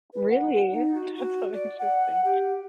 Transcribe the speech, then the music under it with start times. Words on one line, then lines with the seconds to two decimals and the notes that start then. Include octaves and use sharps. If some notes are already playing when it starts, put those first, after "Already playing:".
Really? That's so interesting,
0.13 B4
0.29 F#5
0.71 D#4
0.94 F#4
1.14 F#4
1.53 D5
1.78 F#5
2.24 G4